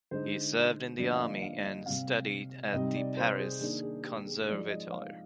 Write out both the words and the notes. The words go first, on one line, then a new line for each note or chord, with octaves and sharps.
He served in the army and studied at the Paris Conservatoire.
D3 G#3 D#4 C5
D3 F3 A#3 D4 D5
F5
D#5
F5
D#5
C3 G3 C4 F5
C3 G3 C4 D#4 D#5
D5
C5
G#4
D#3 A#3 D4 G#4
G#4
G4
G#4
F3 G#3 D#4 D5
D#5
F5